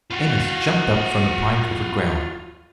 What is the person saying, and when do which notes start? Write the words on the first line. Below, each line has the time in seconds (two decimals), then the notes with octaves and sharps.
Amos jumped up from the pine-covered ground.
0.11 F4 F#4